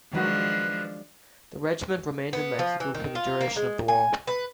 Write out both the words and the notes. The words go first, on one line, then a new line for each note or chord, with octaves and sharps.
The regiment remained in Mexico for the duration of the war.
D#3 F3 F#3 G#3 D4 F#4 B4
B3
F3
E3
D#3
F4
A#3
G#3
G#5
B4